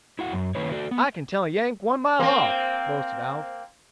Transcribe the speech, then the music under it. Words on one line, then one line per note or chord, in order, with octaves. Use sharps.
"I can tell a Yank one mile off," boasted Alf.
E4 F#4 F#5
F#2
D#3 A#3 C#4 E4 B4 C#5
F#4 A4 D5
B3
A#3 C4